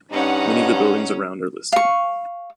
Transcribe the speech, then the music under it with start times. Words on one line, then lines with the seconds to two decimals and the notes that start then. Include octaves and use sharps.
Many of the buildings around are listed.
0.13 G2 C#4 D#4 F#5
1.72 F5 C#6